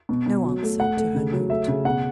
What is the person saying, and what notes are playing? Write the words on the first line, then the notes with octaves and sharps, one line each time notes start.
No answer to her note?
B2
B2
F#3
A3
A3 F#5
A3
C#3
F#3
A3 E5
C#3
B2 F#5